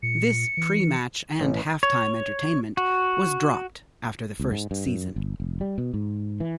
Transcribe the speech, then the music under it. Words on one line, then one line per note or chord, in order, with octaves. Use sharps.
This pre-match and half-time entertainment was dropped after the first season.
A#2 C#7
E3
A1
C#5
F#4
C#2
G#2
G2
F#2
G1
F1
G3
B2
G#2
E3